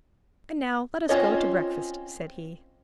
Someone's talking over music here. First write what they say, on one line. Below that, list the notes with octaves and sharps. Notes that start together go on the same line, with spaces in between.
"And now let us go to breakfast," said he.
C4 C#4 F4 C#5 D#5